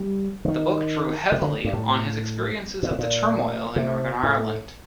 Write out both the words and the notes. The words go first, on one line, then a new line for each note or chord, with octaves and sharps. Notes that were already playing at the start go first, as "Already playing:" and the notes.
The book drew heavily on his experiences of the turmoil in Northern Ireland.
Already playing: G3
D3
D#3
C3
D3
G2
A2
A#2
A2
A#2
C3
A2